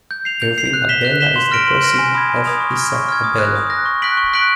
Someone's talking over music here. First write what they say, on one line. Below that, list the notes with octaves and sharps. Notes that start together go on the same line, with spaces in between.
Irving Abella is the cousin of Isaac Abella.
G6
C7 F7
G6
C7 F7
F#6
B6 E7 G7
F#6
B6 E7 G7
C6
F6 A#6 D7
C6
F6 A#6 D7
G#5
B5 D#6 G#6
G#5
B5 D#6 G#6
C#6
F6 G#6
C#6
F6 G#6
D#6
F#6 A#6
D#6
F#6 A#6
C#6
F#6 B6 D7 F#7
C#6
F#6 B6 D7 F#7